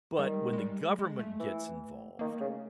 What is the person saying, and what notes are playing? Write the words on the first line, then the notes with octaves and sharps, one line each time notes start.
but when the government gets involved,
D#3 G3
G#3
G#3
G3
G#3
G#3
A3
E3
D#3 A#3
C#3 A3